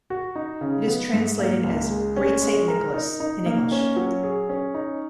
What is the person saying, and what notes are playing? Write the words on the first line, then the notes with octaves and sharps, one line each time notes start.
It is translated as "Great Saint Nicholas" in English.
F#4
D#4
C#3
B3
G#2
A#3
C#2
G#3
C#4
G#3
A#4
D#4
D#4
A#3
C#4
F#3
G#4
C#4
D#4